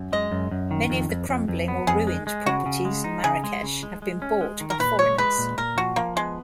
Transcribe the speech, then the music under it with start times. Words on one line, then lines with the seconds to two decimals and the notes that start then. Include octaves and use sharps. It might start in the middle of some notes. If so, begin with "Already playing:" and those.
Many of the crumbling or ruined properties in Marrakech have been bought by foreigners.
Already playing: F#2
0.13 G#3 D#5
0.32 F#2
0.51 F#2
0.71 D#3
0.90 F2
1.09 F2
1.29 F2
1.48 F2
1.68 B3
1.87 F2 G#4
2.07 G#3
2.27 G#3
2.46 C#3 F#4
2.66 C#3
2.85 G#3
3.04 D#4
3.24 C#3 G#4
3.44 G#3
3.63 C#3
3.83 G#3
4.02 G#3
4.22 C#4
4.41 G#3
4.61 D#3
4.70 A#4
4.79 A#2 B4
4.99 G#3 C#5
5.18 G#3 B4
5.38 A#2
5.58 A#2 A#4
5.77 F3 F#4
5.96 F3 A#3
6.16 G#3 B3